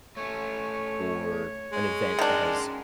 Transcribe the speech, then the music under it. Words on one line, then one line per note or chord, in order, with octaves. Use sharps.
or an event that has
A3 C#4 C#5
G#3
D#3 C#4 D4 A#4 F#5 A#5 C6